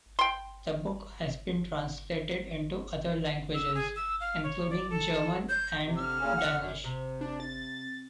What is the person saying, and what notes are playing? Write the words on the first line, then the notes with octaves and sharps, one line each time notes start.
The book has been translated into other languages, including German and Danish.
G5 C6
E6
G#4
E6
F5
C#5
D5
A4
G6
C3
D3 F6
A#2 C#3 C#4
F#5
F#2
C3
D4
A6